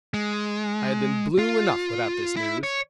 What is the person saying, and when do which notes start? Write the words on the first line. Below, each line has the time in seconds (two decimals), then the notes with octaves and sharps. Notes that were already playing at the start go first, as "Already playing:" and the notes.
I had been blue enough without this news.
0.14 G#3
1.39 F4
2.36 E4
2.63 C#5